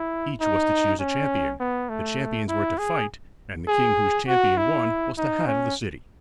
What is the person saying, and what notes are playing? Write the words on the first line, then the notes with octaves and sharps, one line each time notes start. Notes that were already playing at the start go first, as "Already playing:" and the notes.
Each was to choose a champion. The champions were to fight, and the king whose champion won was to have the city.
Already playing: E4
D#4
C#4
B3
A3
E4
G#4
G#4
F#4
E4
D#4
C#4